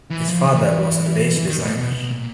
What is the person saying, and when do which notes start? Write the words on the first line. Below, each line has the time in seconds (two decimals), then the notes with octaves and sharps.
His father was a lace designer.
0.10 E3
0.29 F3
0.47 E3
1.38 E3
1.47 D#3
1.57 A#2
1.65 A2
1.75 B2
1.92 B2
2.11 A#2